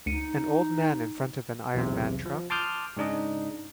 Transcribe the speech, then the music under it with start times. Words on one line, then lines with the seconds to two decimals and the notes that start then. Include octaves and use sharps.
An old man in front of an Iron Man truck.
0.06 D2 D#4 C#7 D#7
1.74 B1 E2 C3
2.26 F3
2.50 A5 C6 D6 D#6 F6 G6
2.97 G#2 C#3 D4 D#4 D#5